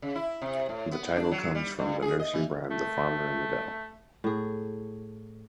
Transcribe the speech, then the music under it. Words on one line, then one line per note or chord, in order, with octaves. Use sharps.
The title comes from the nursery rhyme "The Farmer in the Dell".
C#3
E4
C3
A2
B3
D4
F#3
G3
G2
G#4
D#5
E3
A3
A2 G#4